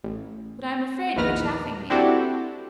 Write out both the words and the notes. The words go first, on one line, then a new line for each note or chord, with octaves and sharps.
"But I am afraid you are chaffing me."
A1
A#1 E2 D#3 B4 F6 A#6
C4 D4 E4 F#4 G4 A4